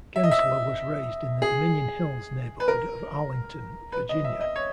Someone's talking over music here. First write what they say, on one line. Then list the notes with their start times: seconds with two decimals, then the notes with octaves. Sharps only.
Gentzler was raised in the Dominion Hills neighborhood of Arlington, Virginia.
0.16 E5
0.23 D#5
0.31 E5
1.42 G#4
2.60 B4
2.68 A#4
3.92 B4
4.09 D#5
4.24 E5
4.41 D#5
4.56 C#5